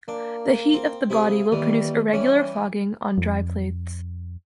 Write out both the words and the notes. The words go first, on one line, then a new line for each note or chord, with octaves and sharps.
The heat of the body will produce irregular fogging on dry plates.
A#3 D4
C4
C3 E4 G#4 F5
D#2 E3 G3
E3 G3 C#4
F2